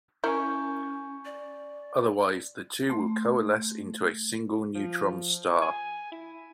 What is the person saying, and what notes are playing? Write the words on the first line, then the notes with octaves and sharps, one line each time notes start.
Otherwise, the two will coalesce into a single neutron star.
C#4 E4 A#4 G#5 C#6 G6
D5
A3 C6
F3
G#5
E4